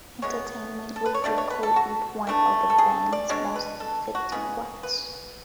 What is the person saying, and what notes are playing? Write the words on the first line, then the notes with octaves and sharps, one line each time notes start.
"Entertainment Weekly" called it "one of the band's most affecting works".
E3 G#3 B3 C#5
A4
B4
C#5
B2 A3 D4 D5
C#5
B4
A4
F#4
E3 A3 D4
A4
G#4
D5
B2 G#3 D4 C#5
B4
A4
F#4
C#3 G#3 B3 G#4
B4